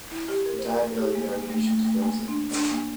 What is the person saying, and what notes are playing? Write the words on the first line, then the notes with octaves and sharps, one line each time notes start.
The Diabelli Variations fills it.
E4
G4
A#4
C5
A#4
G4
A#3
A#3
A3
A3
A3
A#3
D4
D4
A#3